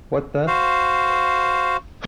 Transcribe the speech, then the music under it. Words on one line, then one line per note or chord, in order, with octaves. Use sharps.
What the...?
F#4 C5 F5